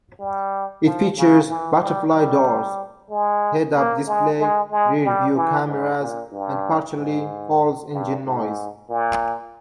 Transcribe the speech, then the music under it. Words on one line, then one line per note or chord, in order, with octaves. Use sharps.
It features butterfly doors, head-up display, rear-view cameras and partially false engine noise.
G3
F3
C#3
E3
G3
G3
G#3
A#3
G#3
G#3
G#3
G3
E3
G#2
A#2
G2
G#2
G2
G#2
A#2